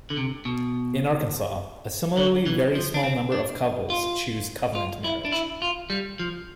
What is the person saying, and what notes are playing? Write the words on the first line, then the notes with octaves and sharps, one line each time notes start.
In Arkansas, a similarly very small number of couples choose covenant marriage.
D3
C3
B2
D3
E3
F3
D4
C4
D4
F4
F4
E4
D4
E4
F4
G3
F3